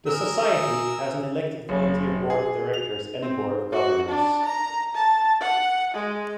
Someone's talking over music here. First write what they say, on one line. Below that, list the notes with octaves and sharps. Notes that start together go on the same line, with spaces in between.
The society has an elected volunteer Board of Directors and a Board of Governors.
G#4 A#4 E6
F#1
G#4
F7
C4
F#4
D4
A#5
A5
F#5
G#3